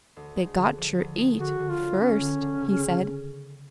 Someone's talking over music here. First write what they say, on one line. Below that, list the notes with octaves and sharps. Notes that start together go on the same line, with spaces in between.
"They got ter eat--first," he said.
D2
G#3
D3
F3
D2
G#3
D3 F#4
D3
F4
F#3
B3 C#4
D3
D3
C#3